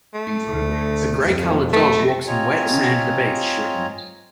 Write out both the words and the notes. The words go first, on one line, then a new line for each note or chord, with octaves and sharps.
A gray colored dog walks in wet sand at a beach.
A3
D2
F2
A3
C4 F4 C#5 D#5 G#5 A#5